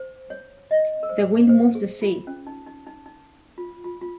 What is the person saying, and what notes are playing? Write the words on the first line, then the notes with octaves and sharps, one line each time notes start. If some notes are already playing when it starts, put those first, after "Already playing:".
The wind moves the sea.
Already playing: C5
C#5
D#5
A#4
C5
C5
G#4
F4
C#4
D#4
D#4
D#4
D#4
F4
F4
F4